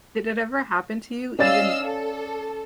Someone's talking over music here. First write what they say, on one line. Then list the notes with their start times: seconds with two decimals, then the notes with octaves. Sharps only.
did it ever happen to you, even
1.39 C#4 D5 D#5 F5 E6 A6
1.83 A4